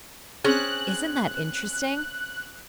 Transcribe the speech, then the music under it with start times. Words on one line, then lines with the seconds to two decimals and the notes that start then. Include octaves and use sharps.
Isn't that interesting?
0.44 C4 C#4 G#4 F#6